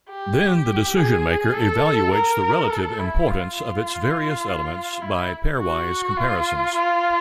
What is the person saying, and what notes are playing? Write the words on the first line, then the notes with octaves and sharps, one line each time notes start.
Then the decision-maker evaluates the relative importance of its various elements by pairwise comparisons.
G4
G#4
A4
A#4
A4
E4
F4
F4
E4
F#4
F4
F4